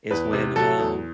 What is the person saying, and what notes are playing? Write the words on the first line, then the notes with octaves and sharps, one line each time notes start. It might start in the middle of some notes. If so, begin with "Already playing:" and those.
is when, um
E2 B4
C3
F#3 A4
E2